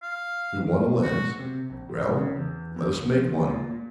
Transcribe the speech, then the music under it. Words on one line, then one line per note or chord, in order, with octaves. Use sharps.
"We want a lens; well, let us make one."
F5
F#4
C3
A#1
A1
G#2
C#3
E2
E2
C#2
A#1
A#2
A#2